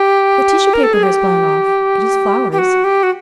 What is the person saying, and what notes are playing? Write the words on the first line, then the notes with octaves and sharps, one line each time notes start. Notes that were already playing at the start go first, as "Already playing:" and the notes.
"The tissue paper has blown off: it is flowers."
Already playing: G4
A#4
A4
G#4
G4
G4
F#4
G4
F#4